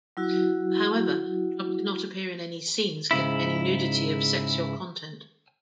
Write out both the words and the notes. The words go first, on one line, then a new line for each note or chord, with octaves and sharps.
However, Trump did not appear in any scenes containing nudity of sexual content.
F#3 E4 F#4
G#2 C#3 E4